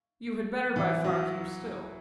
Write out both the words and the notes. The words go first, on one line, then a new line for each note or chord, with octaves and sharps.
You had better by far keep still.
E3
F#3